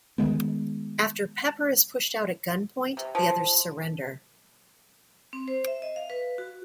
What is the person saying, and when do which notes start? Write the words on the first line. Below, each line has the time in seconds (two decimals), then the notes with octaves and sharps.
After Pepper is pushed out at gunpoint, the others surrender.
0.18 D#3 E3 G#3 B3
2.97 C3
3.15 F3
5.33 C4
5.48 C5
5.67 E5
5.82 D#5
5.96 F5
6.10 B4
6.38 F#4